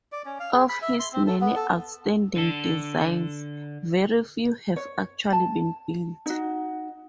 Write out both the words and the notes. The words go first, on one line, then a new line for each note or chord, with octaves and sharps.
Of his many outstanding designs, very few have actually been built.
D5
C#4
F5
G#4
B5
E5
C6
C4
A4
B3
A4
D3 A4
C#5
A5
D#4 F#4